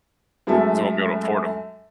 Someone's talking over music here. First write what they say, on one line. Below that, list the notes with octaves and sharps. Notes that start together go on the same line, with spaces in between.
'cause they won't be able to afford 'em.
F#2 G#3 A3 A4 E5 A5